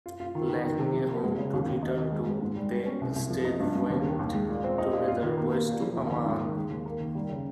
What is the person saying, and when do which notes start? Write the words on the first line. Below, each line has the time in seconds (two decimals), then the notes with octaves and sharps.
Lacking a home to return to, they instead went together west to Aman.
0.06 F4
0.20 F4
0.35 D#3
0.49 D#3
0.65 D#3
0.79 C3
0.94 F3
1.09 A#3
1.24 G#3
1.38 C#3
1.53 D#2
1.68 D#2
1.83 D#4
1.98 D#3
2.12 G#3
2.26 G#3
2.42 G#2
2.56 G3
2.71 G3
2.86 C#4
3.01 C2
3.16 C2
3.30 F3
3.45 D#4
3.60 G2
3.75 G2
3.90 D#2
4.04 D#3
4.19 D#2
4.34 G#3
4.49 A#2
4.64 C4
4.78 D#4
4.93 A#2
5.08 F4
5.23 D#3
5.37 A#3
5.52 A#3
5.68 A#2
5.82 F3
5.97 D#2
6.12 D#3
6.26 G#2
6.42 D#3
6.56 G#3
6.70 D#2
6.86 A#3
7.00 D#3
7.15 G3
7.29 C#3